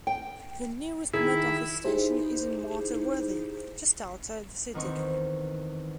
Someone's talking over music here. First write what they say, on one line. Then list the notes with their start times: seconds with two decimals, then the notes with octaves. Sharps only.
The nearest Met Office station is in Martyr Worthy, just outside the city.
0.07 G5
1.13 D#3 E4 G#4
1.84 D#4 E4 G4 G#4 C5
4.74 E2 D#3 C4 C#6